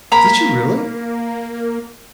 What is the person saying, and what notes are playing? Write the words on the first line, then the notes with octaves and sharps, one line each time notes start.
Did you really?
A#3 A#5 B5